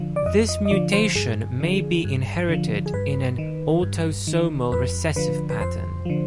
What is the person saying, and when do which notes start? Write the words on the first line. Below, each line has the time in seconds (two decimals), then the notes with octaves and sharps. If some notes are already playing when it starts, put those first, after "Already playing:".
This mutation may be inherited in an autosomal recessive pattern.
Already playing: D3 F3
0.16 D5
0.26 F2 D#5
0.49 D#5
0.65 D#5
0.71 D3 F3 D5
0.93 C5
1.15 G2 G#4
1.60 D3 F3
2.05 G2
2.49 D3 F3
2.86 G#4
2.94 G2 B4
3.38 D#3
3.83 G2
4.27 D#3
4.72 F2 B4
5.16 D3 F3 B4
5.50 B4
5.61 F2 C5
6.05 D3 F3